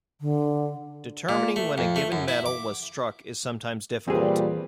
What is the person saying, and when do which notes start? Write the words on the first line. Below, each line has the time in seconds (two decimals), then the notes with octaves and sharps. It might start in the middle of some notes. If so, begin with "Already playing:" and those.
Determining when a given medal was struck is sometimes difficult.
0.21 D3
1.29 A#2
1.56 A3
1.78 F2
1.96 A3
2.12 F#2
2.28 E4
2.46 D6
4.08 E2 A#2 G3 C4 G4 G#4 B4